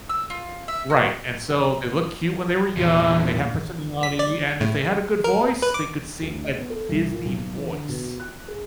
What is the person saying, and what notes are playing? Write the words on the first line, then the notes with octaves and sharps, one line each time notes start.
Right, and, so, they looked cute when they were young, they had personality, and if they had a good voice, they could sing a Disney voice.
E6
F4
E5
F#4
E2 A#2
B6
D5
A2
A#4
B4
D6
D2
D#5
B3
A4
C2
A#2
B1
E3
D3
B2
F#6
G#4